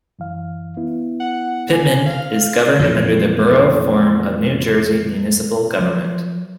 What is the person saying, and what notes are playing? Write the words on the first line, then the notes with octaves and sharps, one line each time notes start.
Pitman is governed under the Borough form of New Jersey municipal government.
F#2 E3 F5
B3 E4
F#5
G#5
F5
F2 A#2 E3
F3 F#3